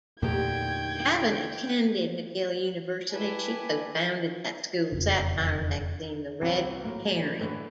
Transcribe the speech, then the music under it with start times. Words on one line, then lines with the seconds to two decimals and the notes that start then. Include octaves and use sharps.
Having attended McGill University, she co-founded that school's satire magazine, "The Red Herring".
0.22 E2 A#2 D3 D#3 A3 G4 G5 G#6
3.12 E4 G4 A4 B4 G#5
4.92 E1 F2 C#3
6.40 D#1 C2 C3 E3 C#4 F#5
6.84 A2 F#3 A#3
7.40 A2 D3 E3 A3